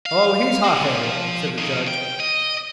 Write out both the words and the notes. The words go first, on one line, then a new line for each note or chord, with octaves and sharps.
"Oh, he's hot-headed," said the Judge.
F5
F#4 A4
F3
F3 D#4
G5
D#5